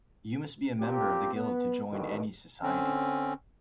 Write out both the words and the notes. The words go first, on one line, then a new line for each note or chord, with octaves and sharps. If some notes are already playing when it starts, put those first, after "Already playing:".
You must be a member of the Guild to join any societies.
A#2 C4 G4
B3
A1 G2 B2 D3 D#3
D3 C4 C#4